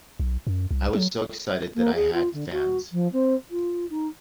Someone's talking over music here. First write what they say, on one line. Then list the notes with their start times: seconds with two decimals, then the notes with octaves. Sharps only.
I was so excited that I had fans!
0.20 B1
0.47 F#2
0.71 C2
0.95 F#3
1.75 A#3
1.94 G#4
2.13 F4
2.33 D3
2.51 F#4
2.92 F3
3.12 C4
3.50 F4
3.90 D#4